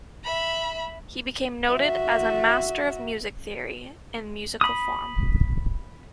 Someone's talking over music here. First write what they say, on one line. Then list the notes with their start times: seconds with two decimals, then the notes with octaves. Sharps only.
He became noted as a master of music theory and musical form.
0.24 E5 B5
1.71 F#4 E5
4.61 B5 D#6